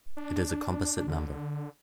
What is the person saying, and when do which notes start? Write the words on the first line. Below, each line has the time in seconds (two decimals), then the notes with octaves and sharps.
It is a composite number.
0.17 D4
1.08 D3